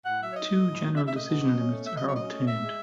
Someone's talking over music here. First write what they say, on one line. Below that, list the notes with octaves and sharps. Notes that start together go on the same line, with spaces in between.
Two general decision limits are obtained.
A2 F#5
F#3 E5
C#5
D#4 D#5
A3
A2
F#3
D#4 E5
E5
A3
D#5
B2
F#3
C#4
A3
B2 E5
D#5
F#3 C#5
C#4 D#5
A3
A2 E5
G#3